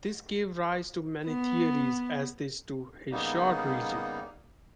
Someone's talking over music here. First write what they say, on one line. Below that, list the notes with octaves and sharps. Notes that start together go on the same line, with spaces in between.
This gave rise to many theories as to his short reign.
B3
C#3 G3 A#3 B3 D#4